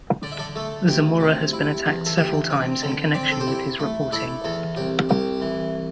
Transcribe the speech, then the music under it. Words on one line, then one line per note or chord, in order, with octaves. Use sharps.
Zamora has been attacked several times in connection with his reporting.
D3 D5
E5
A4 D5
A3 A4
D2 G4
C3
E4
E2
A4
D2 G4
C4
D3 A4
C4 D5
C5
A4
G4 C5
E4
A3
E4 A4 D5
E2 A4
C2 G4
C2 G4
E3